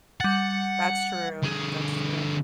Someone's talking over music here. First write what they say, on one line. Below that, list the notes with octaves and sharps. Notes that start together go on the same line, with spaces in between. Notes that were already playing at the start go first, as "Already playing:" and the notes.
That's true, that's true.
G3 F#5 A6
D3 G#4